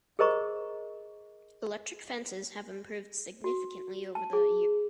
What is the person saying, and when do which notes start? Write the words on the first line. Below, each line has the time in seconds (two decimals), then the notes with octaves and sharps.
Electric fences have improved significantly over the years.
0.19 G#4 A#4 C5 D#5 A#5 C#6
3.44 F#4
4.15 A5
4.33 G#4